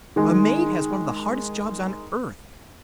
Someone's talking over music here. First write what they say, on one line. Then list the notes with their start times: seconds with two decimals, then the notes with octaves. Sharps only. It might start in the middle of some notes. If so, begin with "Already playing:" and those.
A maid has one of the hardest jobs on earth.
0.16 D#3 G#3